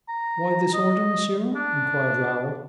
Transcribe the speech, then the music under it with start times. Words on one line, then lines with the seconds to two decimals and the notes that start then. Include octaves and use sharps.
"Why this order, monsieur?" inquired Raoul.
0.08 A#5
0.74 D#5
1.55 D4